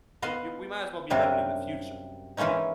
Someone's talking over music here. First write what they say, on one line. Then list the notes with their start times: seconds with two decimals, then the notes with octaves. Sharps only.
it you We might as well be living in the future
0.22 B3 D#5 F5 C6
1.10 F#2 C3 G3 A#3 D4
2.37 E3 G#3 A#3 C#4 D#4